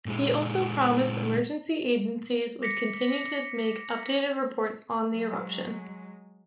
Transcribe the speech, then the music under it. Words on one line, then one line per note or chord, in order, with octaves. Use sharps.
He also promised emergency agencies would continue to make updated reports on the eruption.
A#2 G#3
D6 A#6 B6 C#7
F#3 G#3